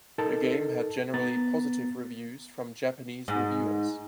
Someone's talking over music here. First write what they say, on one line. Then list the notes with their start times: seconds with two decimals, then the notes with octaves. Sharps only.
The game had generally positive reviews from Japanese reviewers.
0.18 D#4 A4 A#4 A5
1.14 B3 A#5 A6
3.28 G#2